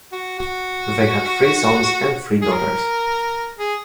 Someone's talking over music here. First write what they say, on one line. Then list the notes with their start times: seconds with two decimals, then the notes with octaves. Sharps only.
They had three sons and three daughters.
0.12 F#4
0.39 F#4
2.42 G#4
2.52 A#4
3.58 G#4